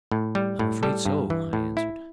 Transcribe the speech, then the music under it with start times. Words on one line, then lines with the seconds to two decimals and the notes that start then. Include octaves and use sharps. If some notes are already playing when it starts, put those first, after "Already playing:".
"I'm afraid so," I answered.
0.12 A2
0.35 G3
0.59 A2
0.83 G3 A4
1.06 G2
1.30 E3
1.53 A2
1.77 E4